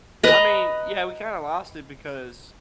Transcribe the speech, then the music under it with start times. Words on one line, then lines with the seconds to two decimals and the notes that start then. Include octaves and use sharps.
I mean, yeah, we kinda lost it because
0.23 B4 D#5 A#5